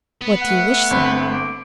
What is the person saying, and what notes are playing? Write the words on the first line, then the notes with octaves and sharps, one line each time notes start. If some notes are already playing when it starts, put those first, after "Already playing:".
"What do you wish, sir?"
B3
A3 F#5
G1 C4 B5
D6